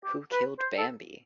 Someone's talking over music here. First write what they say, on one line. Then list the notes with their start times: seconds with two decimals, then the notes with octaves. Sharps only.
Who killed Bambi?
0.04 G4
0.32 B4
0.59 C5
0.78 A4